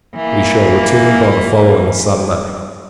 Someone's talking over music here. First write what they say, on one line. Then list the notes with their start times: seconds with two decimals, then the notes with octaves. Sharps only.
We shall return by the following Sunday.
0.16 E3 A#3